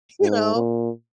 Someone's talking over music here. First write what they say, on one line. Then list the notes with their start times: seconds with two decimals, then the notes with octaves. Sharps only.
You know?
0.21 G#2
0.55 A#2